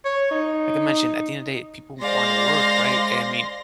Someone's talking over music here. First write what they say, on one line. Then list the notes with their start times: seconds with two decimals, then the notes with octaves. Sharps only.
like I mentioned, at the end of day, people wanna work, right? And I mean,
0.05 C#5
0.31 D#4
2.02 G#3 C5 D5 F5 C6 A#6